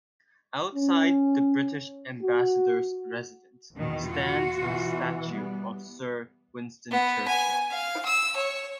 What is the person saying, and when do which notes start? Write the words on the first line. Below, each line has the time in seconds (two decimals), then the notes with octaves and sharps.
Outside the British ambassador's residence stands a statue of Sir Winston Churchill.
0.75 C#4
2.22 F#4
3.75 E2 B2 D#3
4.08 F4 F#4
4.57 B2 E3
5.31 G3 B3
6.91 B3
7.27 G#5
7.71 F5
8.05 E6
8.36 C#5